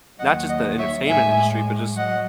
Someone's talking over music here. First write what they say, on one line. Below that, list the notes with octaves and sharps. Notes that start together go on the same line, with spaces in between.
not just the entertainment industry, but just
D#2 D#3 F#3 D#5 F#5
D#5 F#5
C#5 E5
A2 G#3 E5 G#5
F#3 D#5 F#5